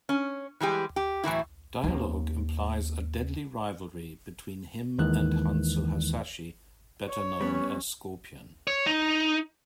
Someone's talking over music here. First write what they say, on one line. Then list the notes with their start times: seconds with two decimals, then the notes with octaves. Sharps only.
Dialogue implies a deadly rivalry between him and Hanzo Hasashi, better known as Scorpion.
0.09 C#4
0.60 E3 G3 G#3 G4
0.96 G4
1.23 A2 E3 F#3 E4
1.84 D#2 C#4
4.98 D#2 D#3 E3 G#3 F#6
7.08 C#5
7.41 G3 B3 C#4
8.67 C#5
8.87 D#4